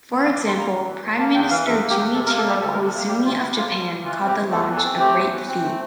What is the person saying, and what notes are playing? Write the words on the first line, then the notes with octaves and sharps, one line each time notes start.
For example, Prime Minister Junichiro Koizumi of Japan called the launch "a great feat".
E3 F5
D6
E2
C6
A#3 A#5
E2
E3
E2
A#3 A5
E2 G5
E3 F5
E2 E5
A#3
G4
E2
C3 A4
A#4
A#3
A4
G3 G4
D2 A4
A#4
C3
A4
A#3 G4
G3 G4
D2 F4
C3 E4
A#3 F4
G3
D2
E3 F4
C4
G4
A3
E2 A4
E3
A4
C4
A3 G4
E2
E3
C4
A3